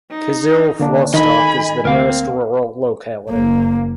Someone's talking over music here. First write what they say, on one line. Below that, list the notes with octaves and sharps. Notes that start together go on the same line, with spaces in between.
Kyzyl Vostok is the nearest rural locality.
D#4
D3 A#3 D4
D#3 A4 D#5 G#5 B5
D2 C4 A#4 F5
F#1 A#3